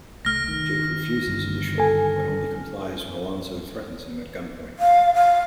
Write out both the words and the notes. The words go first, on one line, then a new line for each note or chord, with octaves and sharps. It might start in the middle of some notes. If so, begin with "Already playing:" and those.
Jake refuses initially, but only complies when Alonzo threatens him at gunpoint.
C2 A3 F6 A#6
D#3
G2 D3 D#3
A4 G#5
F5
F5